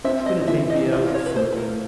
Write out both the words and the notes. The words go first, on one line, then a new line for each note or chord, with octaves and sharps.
it's gonna take me out so
C4 E5
D#5
D#5
E3 E5
D#5
F4 D5
C#5
B4
A3 C5
B4
A#4